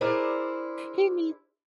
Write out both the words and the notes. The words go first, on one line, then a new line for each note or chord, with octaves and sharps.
He need
D4 E4 G#4 A#4 C5 D5